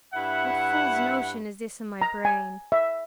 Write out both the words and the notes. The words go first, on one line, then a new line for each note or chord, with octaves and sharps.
What fool's notion is this in my brain?
G2 E4 E5 F#5
A#5
G#5
E5